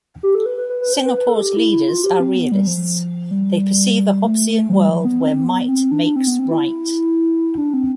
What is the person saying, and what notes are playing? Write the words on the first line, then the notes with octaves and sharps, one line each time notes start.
Singapore's leaders are realists; they perceive a Hobbesian world where might makes right.
G4
A4
B4
B4
B4
B4
C5
B4
B4
A4
G4
E4
E4
F4
G4
C4
B3
G3
F3
G3
A3
F3
G3
F3
B3
C4
B3
C4
D4
D4
C4
B3
C4
E4
D4
C4